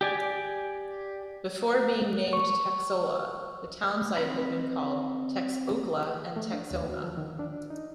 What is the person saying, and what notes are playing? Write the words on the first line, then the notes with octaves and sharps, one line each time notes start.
Before being named Texola, the town site had been called Texokla and Texoma.
G4 D5 G#5
C#6
C4 D#4 B5
A3
D4
D#2
F#4
F3
D#3
D4
D#4